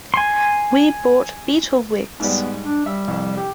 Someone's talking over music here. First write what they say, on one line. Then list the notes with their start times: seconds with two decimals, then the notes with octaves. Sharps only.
We bought Beatle wigs.
0.14 G#5 C6
2.20 G#2 G3 B3
2.64 D4
2.86 G3 E5
3.08 C2 F2
3.36 G4